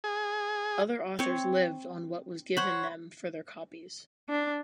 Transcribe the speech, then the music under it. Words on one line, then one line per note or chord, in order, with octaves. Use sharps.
Other authors lived on what was given them for their copies.
G#4
C4 C#5
C5 C#5 F#5 B5
D4